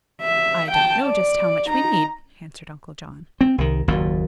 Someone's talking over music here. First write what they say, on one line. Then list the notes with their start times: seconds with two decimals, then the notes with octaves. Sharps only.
"I don't know just how much we need," answered Uncle John.
0.21 E5
0.72 G5 A5
1.06 D5
1.68 D#4 A#5
3.41 C4
3.58 C2 D#3
3.88 F#1 D#2 A#2